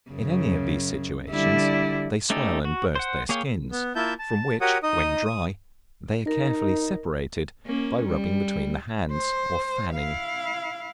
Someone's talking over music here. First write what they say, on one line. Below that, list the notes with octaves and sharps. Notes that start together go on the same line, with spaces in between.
In any of these situations, they swell and burst their skins, from which, when dry, they are carefully separated by rubbing between the hands, or fanning.
F#2 C#3
D3 G3 E4
A3 C#4 D#4 G4 A4
F#4
C5 F#5
A#3 G#4 C#5 F5 G5
B3
A#3 E4 F4 E5 A5 G6
A5
F#4 G4 A#4 C#5 F#5 D#6
D#4 D#5 D#6
D#6
D#4 A#4
A#3 C#4
G3
C5
E4 F5